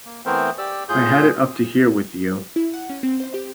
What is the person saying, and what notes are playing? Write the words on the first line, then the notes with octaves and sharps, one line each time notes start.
I've had it up to here with you.
A#3
E3 A3 B3 C4 A#4 C5
G4 D5 E6
A2 F4 G#4 G6
E4
F#5
C#4
C4
C5
G4